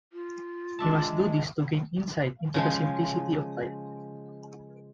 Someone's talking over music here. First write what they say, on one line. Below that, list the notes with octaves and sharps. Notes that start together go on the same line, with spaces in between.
He must do this to gain insight into the simplicity of life.
F4
G#3 D4 E5 A5
C#3 F3 G#3